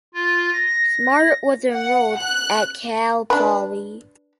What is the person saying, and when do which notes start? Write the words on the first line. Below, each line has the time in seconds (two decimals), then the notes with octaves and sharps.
Smart was enrolled at Cal Poly.
0.14 F4
0.53 A#6
1.74 F#5
2.18 F#6
3.30 D4 B4